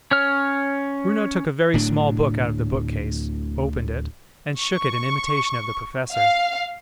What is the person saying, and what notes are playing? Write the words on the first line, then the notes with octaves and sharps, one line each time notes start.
Bruno took a very small book out of the bookcase, opened it, and shook it in imitation of the Professor.
C#4 C#5 F6
D1 D2 A2 D4
C#6
F5